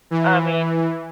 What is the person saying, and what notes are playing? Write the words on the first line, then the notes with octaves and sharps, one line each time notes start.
I mean
E3